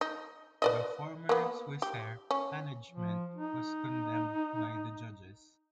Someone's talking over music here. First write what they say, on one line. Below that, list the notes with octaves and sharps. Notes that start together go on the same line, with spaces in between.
The former Swissair management was condemned by the judges.
D#4
B4 D5 D#5
A#3 B3
G4
C#4
F3
D#4